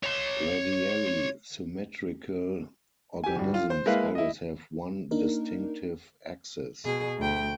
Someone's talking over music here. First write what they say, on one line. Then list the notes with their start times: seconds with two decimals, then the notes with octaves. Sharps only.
Radially symmetrical organisms always have one distinctive axis.
0.03 C#5 C6
3.24 G4 G#5
3.36 D1 G2
3.54 F4
3.70 C5
3.86 G#3 A#3 E4 B4 F5
4.15 E4 D#5
5.11 A#3 D4 D#4 A#4
6.85 B2 G#4
7.18 D2 G5